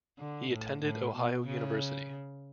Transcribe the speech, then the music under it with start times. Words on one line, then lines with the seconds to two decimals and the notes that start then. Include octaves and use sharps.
He attended Ohio University.
0.19 D3
0.52 A2
0.83 A2
1.16 B2
1.47 C#3